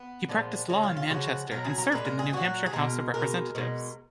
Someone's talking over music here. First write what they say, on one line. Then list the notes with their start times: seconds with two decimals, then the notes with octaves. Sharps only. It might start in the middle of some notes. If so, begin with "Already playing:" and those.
He practiced law in Manchester and served in the New Hampshire House of Representatives.
Already playing: B3
0.29 A#2 F3 G#3
0.69 C#3 G#3 C#4
0.83 F4
0.97 F4
1.10 C#3 F3 G#3 F#4
1.51 B2 F#3 A#4
1.65 G#4
1.78 A#4
1.92 A#2 G#3 B4
2.05 A#4
2.19 G#4
2.33 A#2 F#3 F#4
2.66 G#4
2.73 B2 G#3 A#4
3.14 B2 G#3 A#4
3.55 B2 G#3